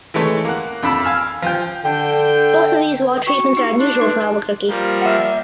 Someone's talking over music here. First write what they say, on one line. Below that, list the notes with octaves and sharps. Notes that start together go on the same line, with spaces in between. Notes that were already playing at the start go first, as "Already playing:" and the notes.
Both of these wall treatments are unusual for Albuquerque.
E3 G#3 A3 C#5
A#3 F#5
F2 D4 B5 E6
F5 G#5 E6 F6
F3 G5
D3 G5
B4
F#4 G5 C#6
D#4 E4 G4
D4 D#4
D#4 B4 C6
F3 G3 A#3
E5 F#5